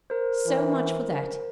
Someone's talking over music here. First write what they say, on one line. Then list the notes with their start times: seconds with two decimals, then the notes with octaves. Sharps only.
So much for that.
0.10 A#4 C5
0.47 E3